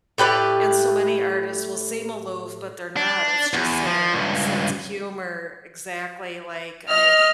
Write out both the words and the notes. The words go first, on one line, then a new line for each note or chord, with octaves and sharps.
and, so many artists will seem aloof, but they're not, it's just their sense of humor exactly like I
A2 G4 B4 D5
D4
E2
F3
C#2 G2
D#5 F6